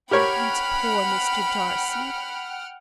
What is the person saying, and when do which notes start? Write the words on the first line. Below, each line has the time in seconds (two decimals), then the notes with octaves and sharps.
And poor Mr. Darcy!
0.11 G4 A#4 C#5 F#5 G5 B5 F6